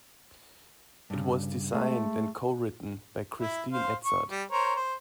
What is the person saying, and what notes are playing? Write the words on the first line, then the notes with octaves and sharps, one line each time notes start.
It was designed and co-written by Christine Edzard.
G2 C#3
G#3 A3
E4
C5 F5
C#6
G3
A#4 C5 C#5
C5